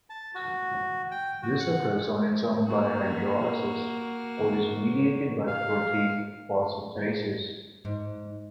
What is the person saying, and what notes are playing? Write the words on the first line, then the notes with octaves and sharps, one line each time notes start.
This occurs on its own by hydrolysis, or is mediated by protein phosphatases.
A5
F#4
G5
F#4
F#5
A#3 F#4
F5
G#2